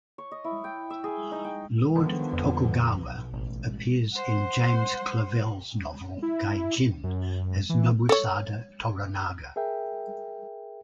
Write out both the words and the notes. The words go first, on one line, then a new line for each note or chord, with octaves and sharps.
Lord Tokugawa appears in James Clavell's novel "Gai-Jin" as Nobusada Toranaga.
C#5
D#5
E4
G5
E5
G#4
D#4
G5
D3 D#3 F3 B3
F2
B1
A1
C5 F#5
E4
F#2
E3
A4 C#5
G#4 A#4 E5 G5